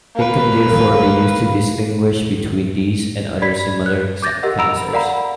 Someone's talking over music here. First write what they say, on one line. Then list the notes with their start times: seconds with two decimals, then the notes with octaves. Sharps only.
It can therefore be used to distinguish between these and other similar cancers.
0.15 A#3 B4
3.42 D5 B5 G#6 B6
3.86 F#6
4.22 D6 G6 A6 A#6
4.43 G4 A#4 D#5 F#5
4.59 A#5 B5 E6 D7 F7
4.93 A#4 D5 F5 F#5 A#5 B5